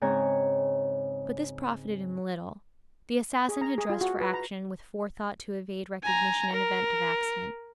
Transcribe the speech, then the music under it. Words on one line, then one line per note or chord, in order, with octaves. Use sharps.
But this profited him little: the assassin had dressed for action with forethought to evade recognition in event of accident.
G#2 C#3 C4 C#5 G#5 A#5
G#4
A#5
G#4
F4
F#4
B4
A#5
G#5 A#5
A#4